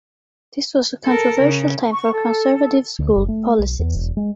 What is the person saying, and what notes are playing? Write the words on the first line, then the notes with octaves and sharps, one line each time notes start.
This was a controversial time for Conservative school policies.
A4 A#4
C#3
C#6
A4
D2
F#1
A3
B1
E2
E1
G#3